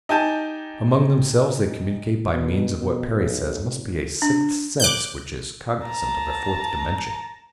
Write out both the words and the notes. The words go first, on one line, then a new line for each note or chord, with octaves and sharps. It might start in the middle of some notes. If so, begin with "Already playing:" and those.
Among themselves they communicate by means of what Perry says must be a sixth sense which is cognizant of a fourth dimension.
D#4 G4 G#5 A5 G6 D#7
B2
B2
B1
F1
D4
D6 F#6 G6
A5 A#5